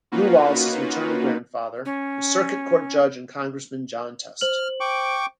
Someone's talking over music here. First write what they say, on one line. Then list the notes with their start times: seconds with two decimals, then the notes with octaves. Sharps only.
Lew Wallace's maternal grandfather was circuit court judge and Congressman John Test.
0.12 A#3 C#4 D#4 F4 F#4 B4
1.85 C#4
4.41 C5 F6 F#7
4.80 G5 C#6 D6